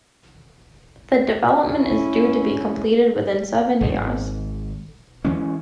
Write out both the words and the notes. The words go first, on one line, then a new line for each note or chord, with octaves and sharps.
The development is due to be completed within seven years.
C#4 E4
D1 G#1
E3 G#3 C#4